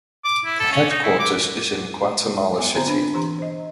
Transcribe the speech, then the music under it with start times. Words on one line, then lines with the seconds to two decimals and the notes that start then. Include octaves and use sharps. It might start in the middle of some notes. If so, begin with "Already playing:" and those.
The headquarters is in Guatemala City.
0.25 D6
0.45 E4
0.60 A4
0.72 C#4
0.90 D#4
1.03 E4
1.19 D6
2.58 B3 G#5 D6
2.75 D3 B3 C4 C5 A#5
2.87 D4 B4 B5
3.14 E3 G4 A#5 C6
3.39 C5 D#5